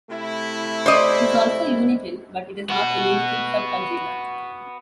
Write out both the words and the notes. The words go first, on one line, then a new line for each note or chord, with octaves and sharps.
It is also unital, but it is not a unital subalgebra.
C3 A3 E4
C5 D5 D#5
B3 F#4